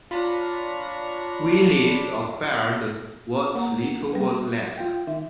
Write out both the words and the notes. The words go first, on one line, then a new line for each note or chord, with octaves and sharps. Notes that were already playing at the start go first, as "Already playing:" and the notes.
Willys acquired what little was left.
D4 F4 C#5 A#5 B5
A#3 F#5 A#5
G3 B4
F4 G5
D#3 E5